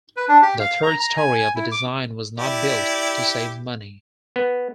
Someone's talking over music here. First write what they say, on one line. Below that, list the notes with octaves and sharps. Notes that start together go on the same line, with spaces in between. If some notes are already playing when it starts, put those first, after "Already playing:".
The third story of the design was not built to save money.
B4
D4
G4
F5
A#5
A#5
G#5
G#5
E4
D6
E4 G4 D5
B3